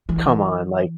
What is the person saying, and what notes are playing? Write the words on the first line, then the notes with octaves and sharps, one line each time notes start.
come on, like
E3